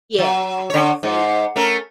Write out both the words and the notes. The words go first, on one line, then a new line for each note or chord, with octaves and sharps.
yeah, I I'd say
F#3
D3 C#5
G#2
A3 C#4 A#4